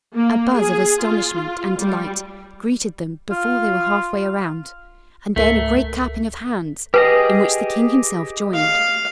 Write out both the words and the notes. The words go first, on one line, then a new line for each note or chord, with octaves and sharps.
A buzz of astonishment and delight greeted them before they were half way around, and then a great clapping of hands, in which the king himself joined.
A#3
G#4
F4
G3
F4
C#2 G#2 A3 A4 A#4
G4 G#4 B4 D#5
F5